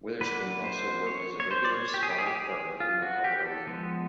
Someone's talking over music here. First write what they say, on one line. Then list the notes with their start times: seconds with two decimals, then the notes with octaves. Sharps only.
Witherspoon also worked as a regular sparring partner for Muhammad Ali.
0.21 F#3 A#3 D4 B4
0.64 C5
1.07 C#5
1.40 C#5
1.51 C5
1.65 D5
1.72 C#5
1.94 G4
2.03 G#4
2.10 G4
2.18 G#4
2.27 G4
2.36 G#4
2.80 F4
3.02 F#4
3.24 G4
3.45 A4
3.67 F3 G#3 B3